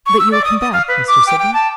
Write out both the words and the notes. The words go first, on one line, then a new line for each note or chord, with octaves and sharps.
"But you will come back, Mr. Sydney?"
C#6
E6
D5
D#6
D#6
F5
B4
D6
G5
G5
A5